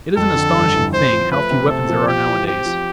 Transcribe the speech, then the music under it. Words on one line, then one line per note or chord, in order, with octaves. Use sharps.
It is an astonishing thing how few weapons there are nowadays.
F2 A4
D3
G2
E3
C4 C5
F3
A3 B4
C3
C4 A4
F3
F4 G4
E3
C4 G4
F3